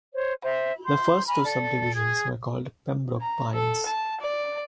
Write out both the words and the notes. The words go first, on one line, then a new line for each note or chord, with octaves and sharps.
The first two subdivisions were called Pembroke Pines.
C5 C#5
C5 E5
C6 G6
G#5 A#5 B5 F6
A4 D5
G#4 G#6
A#5
A4
A5
D5